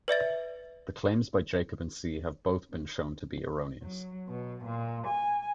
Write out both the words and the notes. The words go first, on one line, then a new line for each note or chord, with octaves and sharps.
The claims by Jacob and See have both been shown to be erroneous.
B4 D5 E5 A6
F#3
B2
A#2
G#5